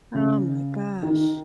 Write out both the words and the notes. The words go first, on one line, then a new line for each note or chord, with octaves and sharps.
Oh my gosh.
C#3
D#3